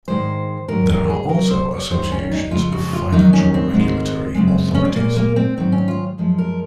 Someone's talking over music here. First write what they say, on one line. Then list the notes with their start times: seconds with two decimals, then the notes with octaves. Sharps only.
There are also associations of financial regulatory authorities.
0.08 G#2 D#3 G#3 C5
0.68 G#2 D#3 F#3 A#4
0.89 A#4
1.10 G#4
1.29 C3 F#3 A#4
1.51 C5
1.71 C#5
1.91 F#2 D#3 F#3 C5
2.12 C#4
2.31 D#4
2.51 F2 C#3 G#3 F4
2.72 F#4
2.93 F4
3.12 F2 D#3 F#3 D#4
3.33 C#4
3.54 C4
3.73 G#2 D#3 G#3
4.35 F#2 C#3 G#3
4.75 C#4
4.85 C4
4.96 A#2 G#3 A#3
5.17 A#3
5.36 C4
5.57 G#2 D#3 F#3 C4
5.72 C#4
5.88 F4
6.18 F#2 F3 G#3
6.38 A#4